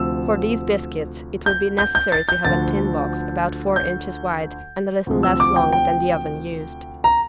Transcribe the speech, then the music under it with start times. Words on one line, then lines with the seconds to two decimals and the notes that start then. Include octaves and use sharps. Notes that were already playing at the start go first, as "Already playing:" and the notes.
For these biscuits it would be necessary to have a tin box about four inches wide and a little less long than the oven used.
Already playing: D2 C3 F3 E6
1.46 G6
1.79 G6
1.95 G6
2.12 A6
2.29 G6
2.45 D2 D3 F3 A6
3.76 G6
5.07 D2 C3 F3
5.23 E6
5.40 D6
5.56 G5
5.73 G5
7.04 A#5